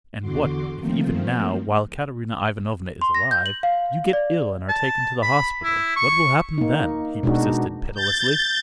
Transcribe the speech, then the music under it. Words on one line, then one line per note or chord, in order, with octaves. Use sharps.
"And, what, if even now, while Katerina Ivanovna is alive, you get ill and are taken to the hospital, what will happen then?" he persisted pitilessly.
E2 D3 F#4 C6 D6
D#3 F3 A3 A#3 C4
C6
A#6
G6
F#7
F5
D5
A5
B5
E4
C#6
A#3 D#4
B2 G#3 D4 D#4 F#4
G6 A6